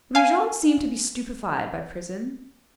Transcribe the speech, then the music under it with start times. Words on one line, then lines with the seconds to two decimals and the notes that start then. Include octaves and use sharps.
Brujon seemed to be stupefied by prison.
0.15 F5 G#5